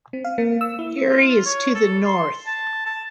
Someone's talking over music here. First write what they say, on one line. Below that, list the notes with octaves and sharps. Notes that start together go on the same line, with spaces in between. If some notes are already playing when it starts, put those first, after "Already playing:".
Erie is to the north.
C4
F5
A#3
E6
E4
F4
C#5
A4
C6
A5
A5